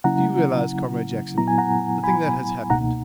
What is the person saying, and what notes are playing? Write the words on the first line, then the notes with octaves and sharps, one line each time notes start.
Do you realize, Comrade Jackson, the thing that has happened?
C#3 F#3 A#3 C#4 E4 F#5 A#5
A#2 F#3 B3 E4 A#5
G#5
F#5 A#5
G#5 B5
C#2 B2 A#3 D#4 F#5 A#5